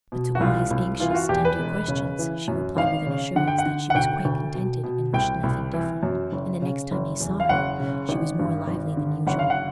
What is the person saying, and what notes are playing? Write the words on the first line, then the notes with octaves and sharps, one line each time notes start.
But to all his anxious, tender questions, she replied with an assurance that she was quite contented and wished nothing different; and the next time he saw her she was more lively than usual.
B2
F#4
C2 F4
C2
E3 F4
F4
F#4
E2 G4
B4
E1
C#3
E3
F#2
G#1 F5
C#3
D3 F#5
G5
F#5
D3
F#5
D2 G5
D2
B2
B2
C2 G5
C2
E3
F#2
F#1
C#3
F#1
E2
F5
F#1 F#5
C#3
G#1
G2
G#1
D3
F#1 F#5
F5
F#5